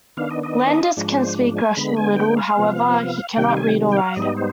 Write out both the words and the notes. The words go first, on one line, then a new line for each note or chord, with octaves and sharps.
Landers can speak Russian a little; however, he can not read or write it.
D#3 B3 D4 F5
D#5
D#5
G#2 F3 G#3 D4
C5
G#5
D3 G#3 B3 B5
G#5
G5
F5
C3 F3 B3
C3 D#3 G3 G5
G#5
G5
F5
G#2 G3 B3 D#4 D#5
C5